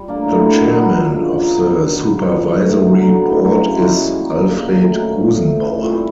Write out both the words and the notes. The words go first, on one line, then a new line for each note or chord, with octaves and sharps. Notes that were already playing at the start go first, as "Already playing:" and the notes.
The Chairman of the supervisory board is Alfred Gusenbauer.
Already playing: G3
A#3 D4
A2
F#3 B3
D#3
F#3 B3
A#2
F3 A#3 D4
C#3
F3 A#3 D#4
F#3
B3 D4
D#3
F#3 B3 D#4
C#3
F3 A#3 C#4
E3
A3 D4 F#4
D#3
F#3 A#3 D#4
D3
F#3 B3
A2
F#3 A#3 C#4
C#3
E3 G#3 C#4
B2
G3 A#3
D#3
G3 A#3
C#3
F#3 A3
D#3
G3 A#3 C#4
F3
A3 C4
C3
E3 A3 C#4
A#2
G3 C4 E4